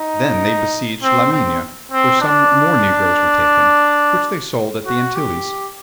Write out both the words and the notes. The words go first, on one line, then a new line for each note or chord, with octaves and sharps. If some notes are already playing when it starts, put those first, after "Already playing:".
Then they besieged La Mina, where some more negroes were taken, which they sold at the Antilles.
Already playing: D#4
C4
C4
C4
D4
F#4
G4